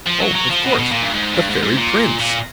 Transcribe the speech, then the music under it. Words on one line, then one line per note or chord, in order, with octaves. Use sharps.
Oh, of course, the fairy prince.
F3
F#3
F#3
F3
B2
B2
A#2
G2
G#2
G2
G#2
G#2
A#2
A#2